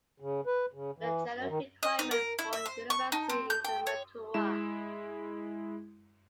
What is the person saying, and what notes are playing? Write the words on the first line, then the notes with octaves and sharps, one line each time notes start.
The general requirement for university is the Matura.
C#3
B4
C#3
E3
F#2
D#3
D#5
D#4
A#4
E4
E5
C5
C#6
D#4
C4
G6
G5
C#5
G#3 E4 E7